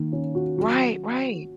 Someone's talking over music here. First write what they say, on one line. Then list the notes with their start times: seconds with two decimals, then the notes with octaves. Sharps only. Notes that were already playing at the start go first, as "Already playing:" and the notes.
Right, right.
Already playing: D#3 A#3
0.13 C#4
0.35 F#4
0.58 F#3